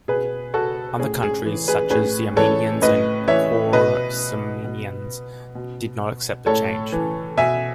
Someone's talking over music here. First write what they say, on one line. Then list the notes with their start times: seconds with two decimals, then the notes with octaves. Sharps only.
Other countries, such as the Armenians and Choresmians, did not accept the change.
0.08 B2 G#4 B4
0.54 F#4 A4
0.99 A2 G#4
1.23 G#4
1.46 E3
1.68 G#4 B4
1.90 A2 G#4 B4
2.36 E3 A4 C#5
2.82 A2 B4 D#5
3.28 E3 C#5 E5
3.72 B2 B4 D#5
4.64 B2
5.55 B2
6.46 A2 A4 C#5
6.92 E3
7.37 B2 E5 G#5